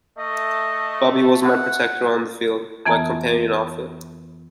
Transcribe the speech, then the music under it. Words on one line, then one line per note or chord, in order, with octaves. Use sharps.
Bubby was my protector on the field, my companion off it.
A3 D#5
F#5
F2 E3 B3 G#5 A#5